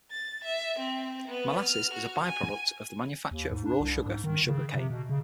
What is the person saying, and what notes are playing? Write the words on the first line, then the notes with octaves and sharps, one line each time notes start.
Molasses is a by-product of the manufacture of raw sugar from sugar cane.
A6
E5
C4
B3
F6
F#4
G#5
D#2
G#2
D4
C2
G#2
D#3
C#3
C3
B2
C#3